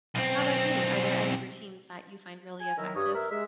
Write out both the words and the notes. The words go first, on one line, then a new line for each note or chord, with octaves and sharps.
How ‘bout you? Are there any routines that you find really effective?
B1 C4
G#5
D#3 F#3 E4 A#4
G2 G4 C#5 D#6
A#4 B4 E5
G#3 E5